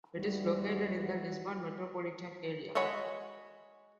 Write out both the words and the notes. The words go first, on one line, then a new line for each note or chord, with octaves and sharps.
It is located in the Lisbon metropolitan area.
D#2 G3 B3 E4 F#4
G#3 F#4 C#5 F#5 B5